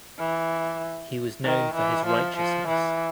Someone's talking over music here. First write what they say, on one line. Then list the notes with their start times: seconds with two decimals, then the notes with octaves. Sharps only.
He was known for his righteousness.
0.19 E3
1.44 D#3
1.75 E3
2.06 F3
2.37 F3
2.68 E3